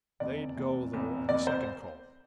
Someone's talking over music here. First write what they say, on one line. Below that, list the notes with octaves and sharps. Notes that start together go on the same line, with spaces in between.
They'd go, though, on the second call.
F1 E2 C3 D5
F1 E2 C3
F1 E2 C3
F1 E2 C3 D5
C5